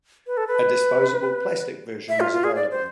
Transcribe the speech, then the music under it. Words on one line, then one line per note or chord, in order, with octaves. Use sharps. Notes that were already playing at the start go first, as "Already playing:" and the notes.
A disposable plastic version is available.
B4
A4
B4
E5
F4
F4
G#4
D5
C5